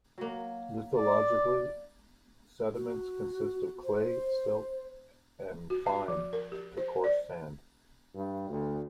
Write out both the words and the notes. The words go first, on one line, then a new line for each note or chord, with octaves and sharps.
Lithologically, sediments consist of clay, silt and fine to coarse sand.
F#3 A#3
D5 D6
F#4
C5
F#4
E5
F3
A#4
G4
C5
D5
G2
D2